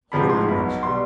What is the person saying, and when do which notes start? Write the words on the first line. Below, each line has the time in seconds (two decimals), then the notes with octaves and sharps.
Horribly much.
0.12 A1 G#2 F3 G#3 B5
0.29 C6
0.48 B1 B2 F#3 B5
0.83 B2 G3 C6